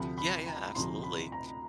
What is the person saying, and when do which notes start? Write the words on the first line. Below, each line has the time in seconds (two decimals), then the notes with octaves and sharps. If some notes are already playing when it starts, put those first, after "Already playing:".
Yeah, yeah, absolutely.
Already playing: D2 C3 F3 B5
0.18 B5
0.46 A#5
0.75 D2 C3 F3 C6
1.03 B5
1.32 A#5